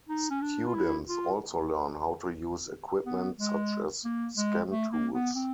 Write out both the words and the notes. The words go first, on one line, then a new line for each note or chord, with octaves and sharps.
Students also learn how to use equipment such as scan tools.
D#4
C#4
D4
F4
E4
F4
B3
G#3
A#3
G#3
A3
A#3
B3
C4